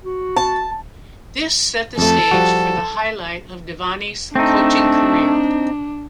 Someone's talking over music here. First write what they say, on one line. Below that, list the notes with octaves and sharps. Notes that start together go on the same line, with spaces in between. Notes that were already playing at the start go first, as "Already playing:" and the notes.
This set the stage for the highlight of Devaney's coaching career.
F#4
A5
F2 A3 A4
F3 G3 F#4
A3 C4 D4 D#4